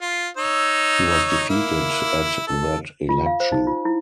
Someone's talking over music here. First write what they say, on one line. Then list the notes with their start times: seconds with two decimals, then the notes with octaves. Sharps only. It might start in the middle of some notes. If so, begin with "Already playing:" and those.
He was defeated at that election.
0.01 F4
0.37 D#4 C#5 E6
1.49 A#3 E4
2.47 A4
3.09 F4
3.26 F5
3.40 C5
3.52 D#4
3.67 F4
3.85 E4